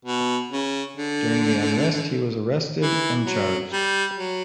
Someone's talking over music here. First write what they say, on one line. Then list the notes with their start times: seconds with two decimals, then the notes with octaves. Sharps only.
During the unrest he was arrested and charged.
0.05 B2
0.51 C#3
0.97 D3
2.81 E3
3.26 F#3
3.72 G3
4.18 F#3